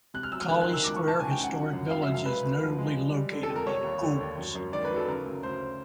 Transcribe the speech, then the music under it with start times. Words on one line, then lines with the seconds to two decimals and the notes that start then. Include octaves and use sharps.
Cauley Square Historic Village is notably located in Goulds.
0.14 C3 F#6
0.23 F6
0.32 F#3 E6
0.41 F6
0.49 D#3 F#6
0.61 F#6
0.67 D#3
0.73 E6
0.84 C#2 D6
0.96 C#6
1.03 C#2
1.08 A5
1.20 C#3 G#5
1.31 G5
1.38 C#2
1.43 F#5
1.55 F#3
1.73 F#2
1.90 F#3 F5
2.03 E5
2.08 F#2
2.14 F5
2.26 G#3 B4
2.43 D2
2.61 F3
2.78 G#3
2.97 G3
3.14 G3
3.32 D3
3.43 A4
3.49 F2
3.56 A#4
3.67 G3 C#5
3.84 D#2
4.03 D3
4.20 D#2
4.38 F#2
4.55 F#2
4.73 D#3 D5
4.85 B4
4.90 F#3
4.97 A4
5.08 C#3 A#4
5.25 D2
5.43 D2 C5